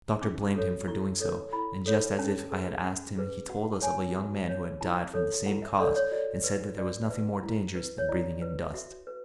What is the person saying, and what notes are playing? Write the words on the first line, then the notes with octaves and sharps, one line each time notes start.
The doctor blamed him for doing so, and just as if I had asked him he told us of a young man who had died from the same cause, and said that there was nothing more dangerous than breathing in dust.
C#4 D6
F#4 A4 C#5
E4 C#6
A4 C#5
E4 B5
A4 C#5
C#4 A5
G#4 B4
C#4 F#5
G#4 B4
F#4 F#5
A5
C#5 G#5
F#4
C#5
E4 A5
A4 C#5
E4 F#5
E5
A4 C#5 D5
C#5
F#4 D5
B4
F#4 D5
B4
E4
B4
C#5
E4 D5
B4
F#4 E5
B4